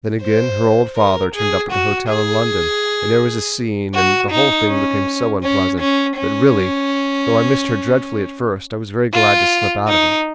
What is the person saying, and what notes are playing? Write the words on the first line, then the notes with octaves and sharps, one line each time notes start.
Then, again, her old father turned up at the hotel in London, and there was a scene, and the whole thing became so unpleasant that really--though I missed her dreadfully at first--I was very glad to slip out of it.
C5
A#4
G#4
F#4
G#4
F#4
D#4
C#4
C#4
C#4
C#4
F4
D#4